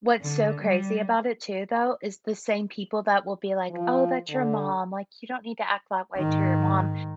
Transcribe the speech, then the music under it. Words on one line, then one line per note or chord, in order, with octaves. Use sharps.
What's so crazy about it too, though, is the same people that will be like, "Oh, that's your mom, like you don't need to act that way to your mom."
D3
G3
F3
D3
G#2 D#3